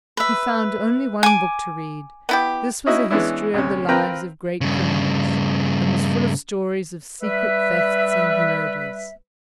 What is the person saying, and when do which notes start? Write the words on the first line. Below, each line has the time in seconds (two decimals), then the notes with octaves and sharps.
He found only one book to read: this was a history of the lives of great criminals and was full of stories of secret thefts and murders.
0.17 B4 E5
1.23 G#5 D6
2.29 B3 E4 G4
2.86 C#4 D#4 E4 F#4 D#5 E5
3.11 E3 G#3 B3 C#4 D4 E4
3.54 D2 C3 C#4
3.89 C4 F4 A#4 B4 G5 A#5
4.61 G2 C#3
7.22 G3 B4 E5